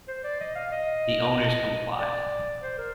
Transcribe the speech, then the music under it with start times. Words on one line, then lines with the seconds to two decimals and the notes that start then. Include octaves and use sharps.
The owners complied.
0.08 C5
0.24 D5
0.40 D#5
0.55 F5
0.72 D#5
1.99 D5
2.62 C5
2.78 A#4